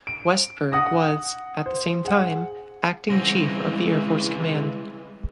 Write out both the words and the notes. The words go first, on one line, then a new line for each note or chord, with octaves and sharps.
Westberg was at the same time acting chief of the Air Force Command.
D7
F#5 D#6 A#6
C5
G#4 F#5
C#3 E3 G3 G#3 C4 A#6